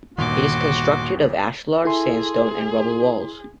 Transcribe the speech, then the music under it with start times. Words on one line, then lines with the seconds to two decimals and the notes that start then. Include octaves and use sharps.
It is constructed of ashlar, sandstone and rubble walls.
0.18 G1 D#2 A#2 D#3 F#4 C6 D6
1.85 E4 G#4 A4 G#5 C6